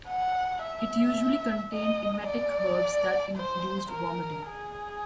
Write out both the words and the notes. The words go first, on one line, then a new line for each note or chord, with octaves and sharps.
It usually contained emetic herbs that induced vomiting.
F#5
E5
D#5
D5
C5
A#4
G#4